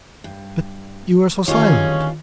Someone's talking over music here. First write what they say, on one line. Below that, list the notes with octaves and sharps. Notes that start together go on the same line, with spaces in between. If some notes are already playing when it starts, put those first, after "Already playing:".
But you are so silent.
G2
D#2 D3 E3 C#4 F4 G#4 C#5